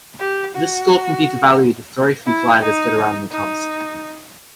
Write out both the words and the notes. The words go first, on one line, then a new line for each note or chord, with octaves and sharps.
This score can be devalued if very few gliders get around the task.
G4
F#4
E4
D#4
D#4